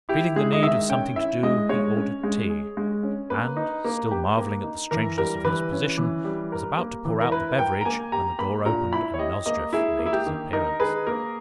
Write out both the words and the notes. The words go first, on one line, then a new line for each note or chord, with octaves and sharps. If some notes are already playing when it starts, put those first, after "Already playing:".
Feeling the need of something to do, he ordered tea, and, still marvelling at the strangeness of his position, was about to pour out the beverage when the door opened and Nozdrev made his appearance.
E4 G4
G#3 G#4
D#5
D#3 E5
C#4 G5
E4 E5
G#3 D#5
G#3 C#5
C#4
G#3
G#4
G#3
C#4
A#3 B4
D#4
A#3
G4
A#3
D#4
E3 A#4
G3 A#4
E3 B4
C#4
E3
G3
A#4
A#3
E3
A#4
E4 B4
A#4 G5
A#5
A#3 G#5
G4 A#5
A#3 B5
A#2 A#5
E4 B5
C#5
G4 D#5
A#3 D#5
E4 G#4
A#3
E4
G4
D#3
D#4 A#4
G#4 B4
A#3 A#4